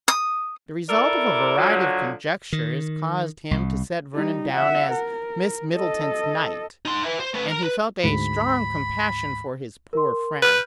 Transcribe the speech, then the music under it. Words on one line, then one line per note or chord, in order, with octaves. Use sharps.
The result of a variety of conjectures caused him to set Vernon down as Miss Middleton's knight, and he felt a strong compassion for his poor friend.
D#6
E4 A4 A#4 D5
D3 F3 F#3
D#3
C2
G3 D#4
E5 F#5
A#4
A4 D#5
D#4 C6
E4 B4
C5
A3 B4
A#4 A#5
B4
D2 G#2 B5
A#4 C6
B4 F6 G6